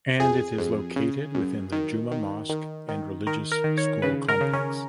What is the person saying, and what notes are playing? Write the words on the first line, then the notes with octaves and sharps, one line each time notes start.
And it is located within the Juma Mosque and religious school complex.
F2 G#4
F2
C#3
F#2
D#3
D#3
D#3
D#3
D#3 A#4
A#4
D#3
C#5
C#3 B4
A#4
C#3
C#4